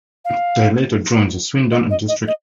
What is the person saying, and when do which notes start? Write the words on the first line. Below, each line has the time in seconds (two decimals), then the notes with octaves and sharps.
They later joined the Swindon and District League.
0.25 F5
1.71 D#5
1.90 D#5
2.08 D#5
2.27 D#5